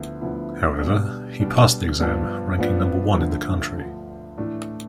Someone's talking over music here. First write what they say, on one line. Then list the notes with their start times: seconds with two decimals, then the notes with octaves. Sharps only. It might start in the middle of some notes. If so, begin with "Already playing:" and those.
However, he passed the exam, ranking number one in the country.
Already playing: D2 D3 F3 B3 E4
0.21 D2 D3 F3 B3 E4
0.81 B2 G3 D4
1.40 B2 G3 D4
1.99 G2 F3 B3 D4
2.59 G2 F3 B3 D4
3.19 D2 D3 F3
3.78 D2 D3 F3
4.38 A2 E3 A3 D4